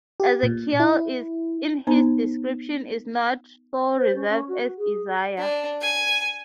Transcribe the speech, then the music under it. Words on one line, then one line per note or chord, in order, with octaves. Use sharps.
Ezekiel in his description is not so reserved as Isaiah.
G4
A#2
E4
B3 D#4 C5 A#5
C5
C#4
C#4
F#4
G#4
D4
G#5